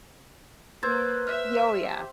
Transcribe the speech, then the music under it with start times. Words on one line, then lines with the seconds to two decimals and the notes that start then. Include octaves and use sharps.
Y oh, yeah.
0.83 A#3 B4 C5 E6 G#6 A6
1.27 E5 F6
1.78 G4